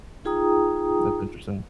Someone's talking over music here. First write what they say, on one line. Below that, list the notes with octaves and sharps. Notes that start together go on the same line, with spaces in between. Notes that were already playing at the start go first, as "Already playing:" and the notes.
That's interesting.
D#4 F4 G#4 G5 A#5 D#6